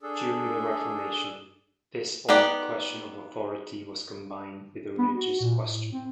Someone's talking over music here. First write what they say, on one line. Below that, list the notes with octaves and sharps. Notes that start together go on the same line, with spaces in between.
During the Reformation, this old question of authority was combined with the religious question.
D4 G#4 A4
B3 D#4 G4 D5 F#5
B3
F#4
A#2
A2
C4